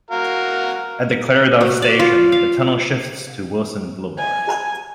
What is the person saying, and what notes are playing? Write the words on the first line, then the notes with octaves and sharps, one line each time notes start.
At the Clarendon station, the tunnel shifts to Wilson Blvd.
F#4 A#4 F5
F#4
D5
F4
F5
G#5